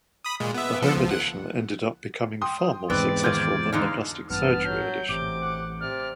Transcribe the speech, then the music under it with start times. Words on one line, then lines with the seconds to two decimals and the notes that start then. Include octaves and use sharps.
The home edition ended up becoming far more successful than the plastic surgery edition.
0.25 B5 D#6
0.40 A#2 G#3
0.54 B3 E5
0.82 F3 B3 A4
0.95 C#2 F3
1.11 F#5
2.41 G5 C6 D#6
2.90 E2 G#2 C3 C4 B4 D5
3.23 D#3 F4 D6 G6 G#6
3.73 D3 G#3 D#4 F5
4.30 A1 G2 B3 A5 F6
4.65 F#3 G6
5.09 A1 C3 D6
5.42 F#5
5.80 C3 D5 F6